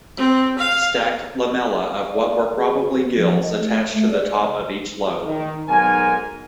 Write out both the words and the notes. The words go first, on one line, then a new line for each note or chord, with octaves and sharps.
Stacked lamella of what were probably gills attached to the top of each lobe.
C4
F5
D5
D5
G#4
F#4
B3
F3
D#5
A3
A3
D5
D#3
B1 G#2 A#4 G#5